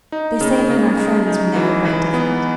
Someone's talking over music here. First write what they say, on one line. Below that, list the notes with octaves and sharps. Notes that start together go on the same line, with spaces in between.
They say men are friends when they are quite different.
D#4
C#3
C#3
G#3
D#4
E3
E3
B3